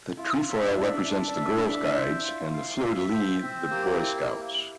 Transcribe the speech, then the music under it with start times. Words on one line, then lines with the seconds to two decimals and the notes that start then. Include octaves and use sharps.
The trefoil represents the Girl Guides and the fleur-de-lis the Boy Scouts.
0.17 E4 F4
0.47 E5
0.62 D4
0.69 E4
0.77 D4 E5
0.83 E4
0.91 D4
1.06 E4 A4
1.28 D4
1.35 E5
1.42 D4
1.50 E4
1.65 D4 E5
1.72 E4
1.90 D4
1.94 E4 C5
2.24 F4
2.53 F5
2.82 F4 E5
3.13 C5
3.42 C4
3.71 A#3 G4
3.93 E4